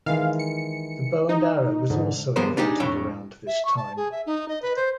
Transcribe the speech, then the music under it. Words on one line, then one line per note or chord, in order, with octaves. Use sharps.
The bow and arrow was also invented around this time.
D#3 E3 G#3 F5
C#7
D#4
G#2 D3
G2 F3 G#3 B3 A#4 C5
D4 D#4 G4 G#4
F2 A2 D4 C#5 G5
E5
C#6
A5
G#4
E5
D#4
D#5
B4
C5